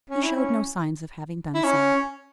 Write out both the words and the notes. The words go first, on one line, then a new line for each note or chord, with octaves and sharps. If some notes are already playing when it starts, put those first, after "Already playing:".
He showed no signs of having done so.
C#4
E4
C#4
E4
C#4